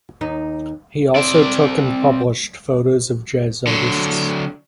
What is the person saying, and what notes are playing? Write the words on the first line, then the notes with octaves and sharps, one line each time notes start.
He also took and published photos of jazz artists.
D#2 D#4
C4 D5
D3 F#3